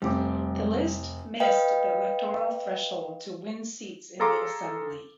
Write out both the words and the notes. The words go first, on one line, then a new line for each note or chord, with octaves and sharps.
The list missed the electoral threshold to win seats in the assembly.
F1 G3 C4 D6
B4 D#5 F5 G5
G#4 A4 F5 A#5 C6 D6